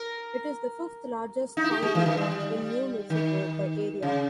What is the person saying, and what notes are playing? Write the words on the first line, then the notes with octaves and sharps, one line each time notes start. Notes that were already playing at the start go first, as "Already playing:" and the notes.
It is the fifth-largest county in New Mexico by area.
Already playing: A#4
D#4
E4
G4
G#3
E3
D#3
G3
D#3
C#3